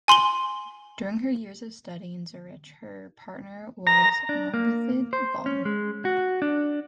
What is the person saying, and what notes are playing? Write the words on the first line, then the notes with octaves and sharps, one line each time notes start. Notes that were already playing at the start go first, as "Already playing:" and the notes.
During her years of study in Zurich, her partner was Margarethe Böhm.
G#5 C6 F#7 G7
A#5
D4
A#3
C5
C#4
G#3
F#4
D4